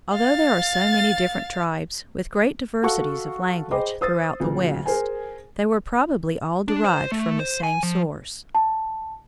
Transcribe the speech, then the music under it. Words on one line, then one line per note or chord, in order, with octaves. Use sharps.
Although there are so many different tribes, with great diversities of language, throughout the West, they were probably all derived from the same source.
F5 A6
F#4 A4 F5 F#5 A5 C#6
G#4 C5 D#5 G5 B5 D6
C5 D#6 E6 A6
D2 A#2 C#3 F#3
G#4 A#4 C5 G#5
D4
C5
A3
C5
G#5
F3
A5